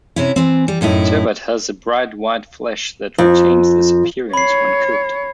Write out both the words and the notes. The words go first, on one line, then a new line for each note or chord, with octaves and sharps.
Turbot has a bright white flesh that retains this appearance when cooked.
C3 C#4 E4
E3 C4
G3
F#2 A2 D#4 E4
F2
C#5 B5 C7